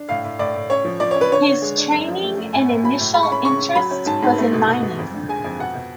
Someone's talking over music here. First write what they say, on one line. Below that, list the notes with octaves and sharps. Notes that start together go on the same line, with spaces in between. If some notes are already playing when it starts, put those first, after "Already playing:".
His training and initial interest was in mining.
Already playing: D4
A2 F5
A2
A2 D5
A2
C#4 C#5
F3
F3 D5
C#4 C#5
B4
D3 C#5
D3
G#3
D4
F#2
F3
A3
A3
A2 G#5
A2
F#3 B5
A2
G#3 B5
C#6
C#4 B5
C#3 C#6
C#3
F#3 B5
C#4
G#2 A5
G#2
A3
B2
B2
B2
F2
D3
G#3 G#5
F2
B2 F#5
B2